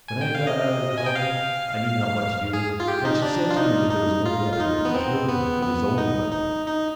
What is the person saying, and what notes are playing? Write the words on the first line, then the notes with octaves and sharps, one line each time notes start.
When I got out of the caldron I knew not what to do; and she said to me that there was no weapon that would kill him but his own weapon.
G#5
G5
F5
D#5
G#5
G5
F5
G#4
F4
G4
D#4
D4
F4
D#4
D#4
F4
F4
D#4
B3
C4
B3
B3
D#4
D#4
D#4